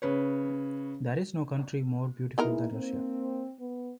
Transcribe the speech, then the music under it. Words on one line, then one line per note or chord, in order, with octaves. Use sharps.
There is no country more beautiful than Russia!
C#3 B4 C#5
G#3 B3 D#4 E4 A#4
A#3 C4
B3